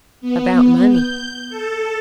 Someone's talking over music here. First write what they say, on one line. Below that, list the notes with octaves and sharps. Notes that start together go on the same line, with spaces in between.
"About money."
B3
G6
A4